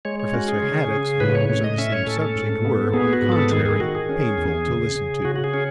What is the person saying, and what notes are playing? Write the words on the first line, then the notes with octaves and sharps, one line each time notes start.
Professor Haddock's views on the same subject were, on the contrary, painful to listen to.
G#3 C#5
C#5
C#4 F#4
G#4
C#3
C#3
A2 B4
C#5
A2 C#5
D#5
C#4 E5
C#5
A2 A4
A4
G#2
B3
B3 G#4
F#4
G#2
A4
D#3 G#4
G#4
D#3 F#4
G#4
C#4
E2
C#3
C#3
C#3 F#4
F#4
G#4
C#4